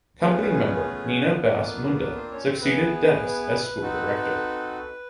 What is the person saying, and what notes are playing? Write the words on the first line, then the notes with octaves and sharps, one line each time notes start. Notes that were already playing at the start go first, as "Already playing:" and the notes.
Company member Nina Bass Munda succeeded Dennis as school director.
A3 B3 C#4 F4 G#4 B4
A#3 D4 F4
B3 B4
C4 C5
C#4 C#5
C4 C5
B3 E4 G#4 B4
C4 D#4 F#4 A4